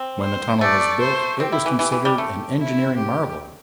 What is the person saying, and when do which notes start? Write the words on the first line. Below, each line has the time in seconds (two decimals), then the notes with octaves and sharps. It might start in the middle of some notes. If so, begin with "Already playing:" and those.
When the tunnel was built, it was considered an engineering marvel.
Already playing: C4
0.21 C5
0.61 A3 D5
1.01 C5
1.40 C4 G4
1.52 E4
1.66 E3
1.79 E3 G4
1.92 E3
2.05 G3
2.18 A3
2.58 E4
2.97 G4